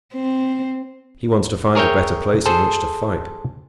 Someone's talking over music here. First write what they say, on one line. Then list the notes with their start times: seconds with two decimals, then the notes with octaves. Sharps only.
He wants to find a better place in which to fight.
0.14 C4
1.75 G#4 A#4 C#5 E5 G5
2.46 G#4 A4 C5